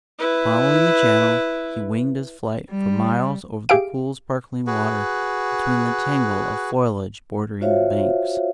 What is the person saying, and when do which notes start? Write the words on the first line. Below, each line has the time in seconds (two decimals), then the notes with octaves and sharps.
Following the channel, he winged his flight for miles over the cool sparkling water, between the tangle of foliage bordering the banks.
0.19 E4 B4
2.70 G3
3.69 G4 G#4 E5 F5 D7
4.67 F#4 G#4 B4
7.61 F4 F#4 C5 C#5 E5 F5